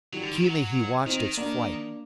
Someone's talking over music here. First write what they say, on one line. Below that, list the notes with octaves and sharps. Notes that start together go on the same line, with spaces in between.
Keenly he watched its flight.
D#3 F#3 G3
D3
D#3
F#3
D#3 C4 D#4
A#3 D4